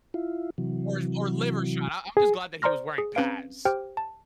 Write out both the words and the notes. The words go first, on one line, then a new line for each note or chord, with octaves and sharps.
or or liver shot. I I'm just glad that he was wearing pads
E4 F4
C3 E3 F#3
G#4
C5 D5 A#5 C6 F6 A#6
G#4
C4 C#4 B4 F5 D7
G4 C5 G5 F6
A5